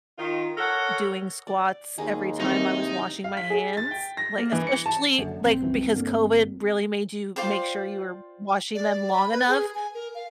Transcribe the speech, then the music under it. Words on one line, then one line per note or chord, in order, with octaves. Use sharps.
doing squats every time I was washing my hands like, especially, like because COVID really made you make sure you were washing them long enough.
D#3 F4
A4 A#4 C#5 F#5
D5
D#2 D#4 G#4
C3 D#3 E3 C4 D#4
F5
B6
G#4
A6
G5
A#6
A#3
E3
C#7
A5
F#1 F#2 D3
A#1 C4
C2 F#2 E3
G1 D3 A#3
F4 C5 D5 G5
D5
B5
B4
G#4
G#5
A#4
F5